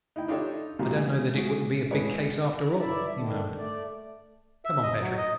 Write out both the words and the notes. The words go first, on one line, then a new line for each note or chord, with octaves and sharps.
"I don't know that it wouldn't be a big case, after all," he murmured. "Come on, Petrie."
D#4 E4 G5
D4 D#4 F4 G4 A4 C#5
A#2 F3 G3 G#3 F#4
E3 G#3
G#3 F#4
A2 G#3 B4 C#5
G2 E4 D5 E5
D3 D#3 D4
A3 D5
E5
D#5
F#3
D#5